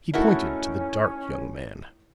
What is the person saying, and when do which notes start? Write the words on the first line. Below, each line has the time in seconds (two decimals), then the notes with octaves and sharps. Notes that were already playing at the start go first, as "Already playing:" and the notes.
He pointed to the dark young man.
0.14 A2 C#4 D#4 E4 F#4 A4 A#4